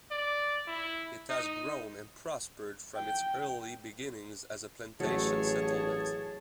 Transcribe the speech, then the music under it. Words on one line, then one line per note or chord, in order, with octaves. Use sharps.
It has grown and prospered from its early beginnings as a plantation settlement.
D5
E4
D#4
G5
A1 F#3 A3 G#4 C#5 A5